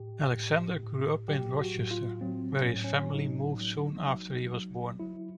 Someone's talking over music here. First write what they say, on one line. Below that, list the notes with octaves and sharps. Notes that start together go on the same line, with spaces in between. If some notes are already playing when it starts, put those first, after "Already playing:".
Alexander grew up in Rochester, where his family moved soon after he was born.
Already playing: A2 G4
A2
A2
F#3 G4
F#4
A2
F4
F#3 C4
C#4
A2
C#4
F#3 D#4
F#3
F#3
F#3
F#3 E4